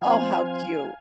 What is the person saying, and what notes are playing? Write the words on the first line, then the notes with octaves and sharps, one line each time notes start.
Oh, how cute.
F3 C4 F5 G#5
F5 G#5